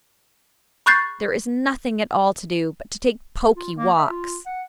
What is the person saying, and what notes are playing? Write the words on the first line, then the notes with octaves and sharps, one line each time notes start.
There is nothing at all to do, but to take poky walks.
B5 C#6 F#6 G6 A6 C7
F4
A#3
E5
F4
F#5